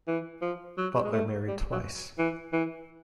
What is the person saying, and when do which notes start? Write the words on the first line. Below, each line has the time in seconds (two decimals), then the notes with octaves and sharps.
Butler married twice.
0.08 E3
0.42 F3
0.78 F#3
0.95 G3
1.04 G#3
1.13 A3
1.48 G3
1.72 F#3
2.19 E3
2.53 E3